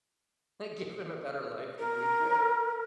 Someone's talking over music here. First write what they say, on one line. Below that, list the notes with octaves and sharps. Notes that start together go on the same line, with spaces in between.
give him a better life than we could.
A#4